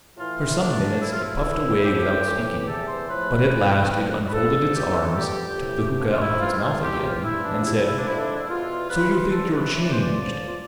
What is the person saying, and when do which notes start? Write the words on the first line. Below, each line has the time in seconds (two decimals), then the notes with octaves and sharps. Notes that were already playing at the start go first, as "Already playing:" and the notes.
For some minutes it puffed away without speaking, but at last it unfolded its arms, took the hookah out of its mouth again, and said, 'So you think you're changed, do you?'
0.17 A2 E3 F4
0.49 E4
0.58 A2 E3 D4
1.00 A2 F3 E4
1.11 F4
1.21 E4
1.42 A2 E3
1.83 A2 F3 G4
2.24 A2 E3
2.66 E2 C3 E3 A4
2.86 C5
3.08 A2 F3 B4
3.49 F2 C3 E3
3.90 G2 D3 F3
4.28 B4
4.32 F2 D3 F3 A4
4.74 F2 E3 G4
4.89 G4
4.95 A4
5.15 G2 D3 F3 G4
5.56 A2 E3
5.98 A2 F3 D4
6.09 F4
6.20 E4
6.40 F2 C3 E3 F4
6.51 E4
6.63 F4
6.81 E2 C3 E3 G4
7.02 F4
7.23 G2 E3 E4
7.44 D4
7.59 F4
7.64 E2 C3 F3 E4
7.75 E4
7.80 D4
7.85 E4
7.96 D4
8.06 F2 D3 F3 E4
8.20 D4
8.34 E4
8.47 E2 B2 F4
8.89 E2 C3 F3 B4
9.10 C5
9.30 E2 C3 E3 A4
9.51 B4
9.72 A2 E3
9.81 D5
9.91 C5
9.99 D5
10.14 A2 F3
10.46 F4